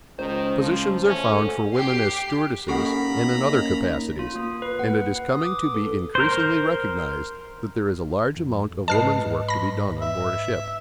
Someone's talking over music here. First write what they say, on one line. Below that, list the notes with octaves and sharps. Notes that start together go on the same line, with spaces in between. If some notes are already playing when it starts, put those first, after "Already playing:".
Positions are found for women as stewardesses and in other capacities, and it is coming to be increasingly recognised that there is a large amount of women's work to be done on board a ship.
C#2 D#3 C5
F3
A3 C#4 F#4
G4 C7
A#3 C#4 D#4 G4 A4 F#5 A#5 B5
F4
A#3
B4
F#5
B4
D#6
D6
A4
A#4 C5
F2
G#2 B4 D#5 A5 F6 C7
B5 A#6
E5